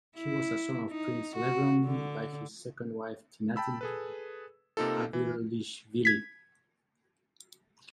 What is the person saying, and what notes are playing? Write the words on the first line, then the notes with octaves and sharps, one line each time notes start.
He was a son of Prince Levan by his second wife, Tinatin Avalishvili.
E4
D#4
F#4
D3
G5 A5 B5 E6
G#4 A4 B4
C3 A#3 D#4 F4 A4
E3
G#6 B6